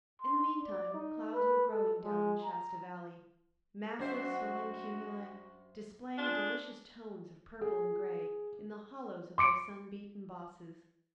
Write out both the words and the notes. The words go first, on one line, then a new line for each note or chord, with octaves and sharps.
In the mean time clouds were growing down in Shasta Valley--massive swelling cumuli, displaying delicious tones of purple and gray in the hollows of their sun-beaten bosses.
C6
D5
D#4
B4
A4
G#3
A#5
F#2 F#4 C5 E5
D4 F4 G#4
G#4
C6 D6 C#7 D7